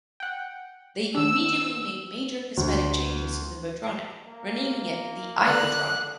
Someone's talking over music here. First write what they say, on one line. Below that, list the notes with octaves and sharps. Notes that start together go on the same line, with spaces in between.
They immediately made major cosmetic changes to the Votronic, renaming it the iVotronic.
F#5 G5
D#3 D4 E6
D2
A#3
D3 F#6